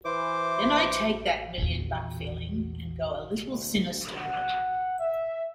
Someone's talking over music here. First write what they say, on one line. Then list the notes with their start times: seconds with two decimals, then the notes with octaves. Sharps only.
Then I take that million-buck feeling and go a little sinister with it.
0.05 E3 C5 D6
1.58 A#1 E2
3.45 D2
4.15 F#5
4.99 E5